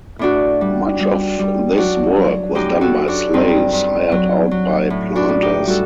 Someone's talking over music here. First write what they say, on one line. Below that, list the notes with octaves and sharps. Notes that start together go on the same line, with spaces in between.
Much of this work was done by slaves hired out by planters.
A2 D4 F#4
G3
G3
G3
F#3 D4 F#4
F#3
F#2 D#4 G4
F#4 A4
F#2
D4 F#4
G2 C4 D#4
G2
F#3
F#3
A2
D4 F#4
A2
D#4 G4
G3 F#4 A4